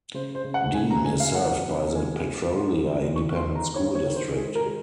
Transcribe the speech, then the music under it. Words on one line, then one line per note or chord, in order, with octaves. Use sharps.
Dean is served by the Petrolia Independent School District.
C#3 C5
C5
C#3
F#5
C#3 G#5
A#5
C#3 G#5
F5
G#3 F#5
C3
G#3 G#5
G#3
F3 C6
F3
G#3 C#6
C6
D#4
A#5
D#3 C#5
C#5
D#3
C5
G#3 G#4
A#4
G#3